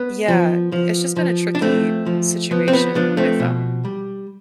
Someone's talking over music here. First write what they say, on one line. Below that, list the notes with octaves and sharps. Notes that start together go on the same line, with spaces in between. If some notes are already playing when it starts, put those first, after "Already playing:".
Yeah, it's just been a tricky situation with, um,
Already playing: B3
F3
F3
F3
D4
F3 A3 C4
F3
F3 B3
C4
B3
F3 B3 D4
A3 C4
B2
G3